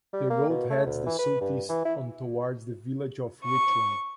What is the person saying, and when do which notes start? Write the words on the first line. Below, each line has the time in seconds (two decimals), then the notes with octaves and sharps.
The route heads the southeast on towards the village of Richland.
0.13 G3
0.30 A#3
0.50 B2
0.70 A3
0.86 D2
1.06 E3
1.19 B4
1.41 G2
1.69 E3
1.85 E4
3.44 C#6